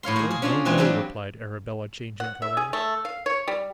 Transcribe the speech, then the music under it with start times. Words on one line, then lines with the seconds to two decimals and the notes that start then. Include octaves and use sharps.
'Oh, no, no,' replied Arabella, changing colour.
0.03 A2 C#5 F5 C6
0.16 A#3 G#4
0.31 G#4
0.42 C#4 D4 F4 G#4 D5
0.65 E3 G#3 C4 F4 G#4
0.78 F#3 G3 A#3 C4 D4 G4
2.20 F#5
2.42 E5
2.57 G#4
2.73 A3
3.05 F5
3.26 C#5
3.48 G3